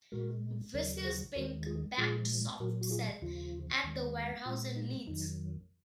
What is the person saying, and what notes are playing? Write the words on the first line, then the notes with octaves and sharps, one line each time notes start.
Vicious Pink backed Soft Cell at The Warehouse in Leeds.
A#2 G#3 F#4 A#4
D#2 C#3 F#3 A#4 C#5
A#4
G#4 C5
D#2 D#3 G#3 F#4 A#4
F4 G#4
A#2 F3 G#3 F4 G#4
A#2 F#3 F#4 A#4
F#4
F4 G#4
D#2 C#3 F3 F4
D#2 D#3 G#3
A#2 G#3 F4
D#4
F2 D#3 F#3 D#4